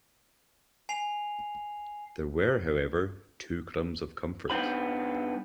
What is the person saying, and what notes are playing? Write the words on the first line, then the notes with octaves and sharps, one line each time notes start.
There were however two crumbs of comfort.
G#5 C7 F7
G2 B3 D#4 C5 B5